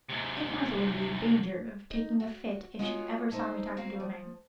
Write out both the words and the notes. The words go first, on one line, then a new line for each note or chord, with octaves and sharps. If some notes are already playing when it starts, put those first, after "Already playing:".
Aunt Martha would be in danger of taking a fit if she ever saw me talking to a man.
G#2 C3
D#4
F#4
G#3 B3 F4 F#4 A#4 C#5
A3 D#4 C5
A#3 C4 F#4 F5
F3